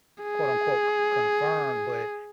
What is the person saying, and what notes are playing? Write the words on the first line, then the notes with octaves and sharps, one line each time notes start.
quote, unquote, "c confirmed," but
G#4